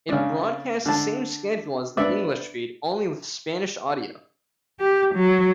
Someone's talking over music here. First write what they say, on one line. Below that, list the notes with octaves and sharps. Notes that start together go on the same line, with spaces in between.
It broadcast the same schedule as the English feed, only with Spanish audio.
C#3 D4
D3 A5
B3 D4 D5 E5
G4
F#3